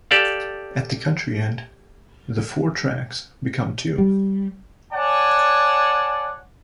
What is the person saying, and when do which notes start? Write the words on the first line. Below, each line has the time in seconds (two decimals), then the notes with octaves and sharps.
At the country end, the four tracks become two.
0.11 G4 A4 D5 F5
3.98 G3
4.92 C#5 D5 F#5 G#5 A5